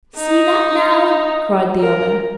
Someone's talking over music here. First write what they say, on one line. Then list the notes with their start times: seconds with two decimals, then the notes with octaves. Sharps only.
'See that now!' cried the other.
0.17 D#4
1.79 A#4